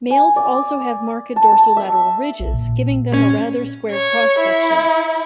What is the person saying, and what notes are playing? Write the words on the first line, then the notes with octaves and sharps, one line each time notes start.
Males also have marked dorsolateral ridges, giving them a rather square cross-section.
G#5
D5
A5
A5
E5
A#1
A#2
C#4
C#5
E4